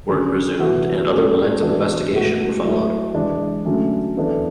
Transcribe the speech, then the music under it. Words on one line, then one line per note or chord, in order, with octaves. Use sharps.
Work resumed and other lines of investigation were followed.
D3 F#3 C#4 G#4
E3 B3 F#4
G#3 C#4 F#4 A4
E3 B3 D4 F#4
A2 G#3 B3 F#4
F#3 A3 E4
E3 G#3 D4
D3 F#3 A3 C#4
E3 B3 D4 A4